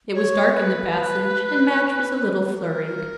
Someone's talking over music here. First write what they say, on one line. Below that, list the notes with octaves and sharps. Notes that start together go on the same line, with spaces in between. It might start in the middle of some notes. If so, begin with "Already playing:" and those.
It was dark in the passage, and Madge was a little flurried.
C#5
B4
A#4